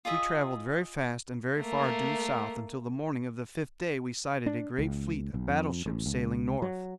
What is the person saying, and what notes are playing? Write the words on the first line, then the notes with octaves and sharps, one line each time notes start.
We travelled very fast and very far due south until the morning of the fifth day we sighted a great fleet of battleships sailing north.
F4 G#4 D#5 E5
A3 A#3
D4
C#2
B1
F2
A1
C#2
F#3